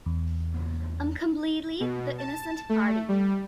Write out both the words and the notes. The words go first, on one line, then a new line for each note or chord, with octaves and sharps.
I'm completely the innocent party.
E2
B2
A5
A3
G3